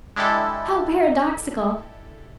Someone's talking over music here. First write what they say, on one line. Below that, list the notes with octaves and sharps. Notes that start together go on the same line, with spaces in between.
How paradoxical!
G#3 D4 E4 G4 A4